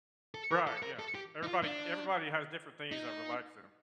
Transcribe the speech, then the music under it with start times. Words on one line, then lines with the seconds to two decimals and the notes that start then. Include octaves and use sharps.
Right, yeah. Everybody everybody has different things that relax them.
0.35 A4
0.51 A#4
0.67 A4
0.83 A#4
0.99 A4
1.15 G4
1.43 D#4
1.47 F4
1.64 D4
2.92 D#4